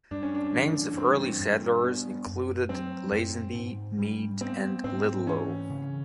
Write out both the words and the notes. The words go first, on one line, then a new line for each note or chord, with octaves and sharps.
Names of early settlers included Lazenby, Mead, and Liddelow.
G2 D4
C#4
D4
E3
G2 C4
G2
B3
F#2
F#3 C4
F#2
G#2
G3
B3 C4
G#2 C4
E3 C#4
C#3